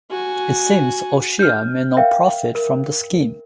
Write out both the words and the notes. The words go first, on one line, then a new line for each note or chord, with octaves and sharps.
It seems O'Shea made no profit from the scheme.
F#4 G#5
F6 G6
A#4 E5 F5 G5
A#4